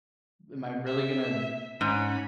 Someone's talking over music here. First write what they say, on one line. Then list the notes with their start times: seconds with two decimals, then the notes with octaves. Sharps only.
am I really gonna
0.87 E5
1.81 G#2 C#4 B5